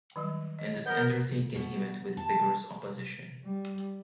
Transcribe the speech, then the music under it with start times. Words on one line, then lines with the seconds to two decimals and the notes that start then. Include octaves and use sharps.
In this undertaking he met with vigorous opposition.
0.16 D#3 F#3 G3
0.59 C#5 D#5
0.86 B3 A#4 G6
1.55 B2
2.17 A5
3.45 G3